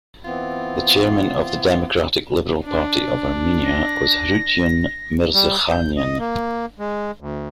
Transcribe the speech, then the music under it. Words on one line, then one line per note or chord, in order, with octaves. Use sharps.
The chairman of the Democratic Liberal Party of Armenia was Harutyun Mirzakhanian.
E3 B3 C4 F4
D4
A#6
G3
G6
D#5
A#3
G#3
D2